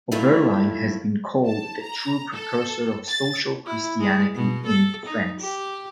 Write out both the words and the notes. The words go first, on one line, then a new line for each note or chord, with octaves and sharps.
Oberlin has been called the true precursor of social Christianity in France.
D#3 F#3 A3 E4 F4
A5
A#5
A4
A6
E4
G#3
B2
A4
D#4
G4